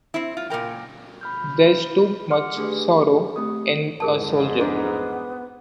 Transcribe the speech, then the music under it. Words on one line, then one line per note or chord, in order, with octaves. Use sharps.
There's too much--sorrow--in a soldier.
C4 E4
F4
A#2 F3 A#4 G5
B5 F6 G6
F#5 C6 D6 F6 C#7
A3 D4 G4 G#4 B4
A3 C4 G4 D#6
A1 F2 G#2 G#4 A#4 A5
B3 D4 A#5